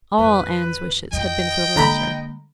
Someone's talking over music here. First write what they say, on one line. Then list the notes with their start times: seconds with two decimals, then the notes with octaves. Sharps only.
All Anne's wishes had been for the latter.
0.18 F2 D#3 B4
1.13 F2 D#3 D#5 G5
1.76 D3 G#3 A#3 A#5 B5